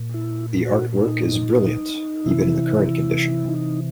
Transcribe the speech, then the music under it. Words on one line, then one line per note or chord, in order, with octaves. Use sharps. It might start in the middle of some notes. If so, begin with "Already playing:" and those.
The art work is brilliant even in the current condition.
Already playing: A#2
E4
F#4
D#4
C3 E3 E4
D#4